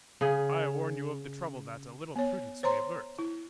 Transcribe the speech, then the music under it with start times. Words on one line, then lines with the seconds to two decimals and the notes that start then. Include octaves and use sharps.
I warn you of the trouble that a little prudence may avert.
0.21 C#3 G#4
2.16 B3 C#5
2.63 C5 C#5 A#5 C6
3.19 E4